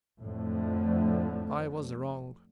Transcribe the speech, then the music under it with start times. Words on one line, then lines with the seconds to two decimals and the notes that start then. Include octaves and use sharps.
I was wrong.
0.21 F2 A2 D3 F3 A3